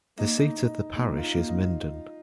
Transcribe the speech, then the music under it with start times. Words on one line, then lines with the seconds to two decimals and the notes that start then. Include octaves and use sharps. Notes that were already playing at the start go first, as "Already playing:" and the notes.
The seat of the parish is Minden.
0.18 A#3 D#4
0.38 D#4
0.57 D#4
0.96 A#3 D#4
1.17 F4
1.23 D#4
1.36 A#3
1.49 D#4